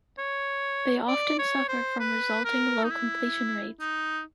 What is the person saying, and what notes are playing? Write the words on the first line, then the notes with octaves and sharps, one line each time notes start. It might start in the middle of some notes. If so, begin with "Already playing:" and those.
They often suffer from resulting low completion rates.
C#5
D5
C#5
C5
B4
A#4
D#4
E4
D#4